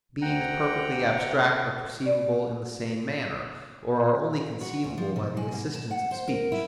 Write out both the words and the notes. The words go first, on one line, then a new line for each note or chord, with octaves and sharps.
Beings perfectly abstract are perceivable in the same manner, or are only conceivable by the assistance of speech.
D2 F#5 G5 A#5
D5
F#4
D2
F3
B2
G#3
B2
A5
F#5
C5
A#4
E4